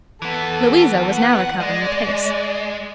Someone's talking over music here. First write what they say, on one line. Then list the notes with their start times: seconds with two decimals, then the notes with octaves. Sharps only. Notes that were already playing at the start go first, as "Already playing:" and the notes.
Louisa was now recovering apace.
0.22 E3 B3 A4
1.10 F#5
1.60 G#3 D5